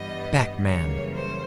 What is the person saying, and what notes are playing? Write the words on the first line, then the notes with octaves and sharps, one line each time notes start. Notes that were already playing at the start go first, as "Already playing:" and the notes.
"Back, man!"
Already playing: G2 E3 G3 B3 D#5
F#2 C#3 E3 G3 A#3 C#5
C5